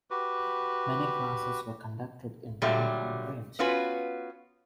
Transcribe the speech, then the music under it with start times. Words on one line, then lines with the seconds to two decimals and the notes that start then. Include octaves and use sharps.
Many classes were conducted in downtown Rindge.
0.10 F#4 G4 B4
2.62 A#2 D3 F#3 G3 A3
3.59 B3 C#4 F4 F#4 B4